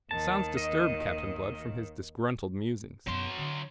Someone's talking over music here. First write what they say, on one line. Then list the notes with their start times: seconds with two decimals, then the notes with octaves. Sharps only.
The sounds disturbed Captain Blood from his disgruntled musings.
0.11 D#2 D#3 A5
0.57 D#5
3.07 F#2 B2 F#3 C6
3.38 D3